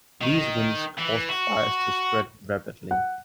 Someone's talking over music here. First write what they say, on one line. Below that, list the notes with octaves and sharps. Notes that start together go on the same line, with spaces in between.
These winds caused fires to spread rapidly.
D#3
E3
F#4
F#5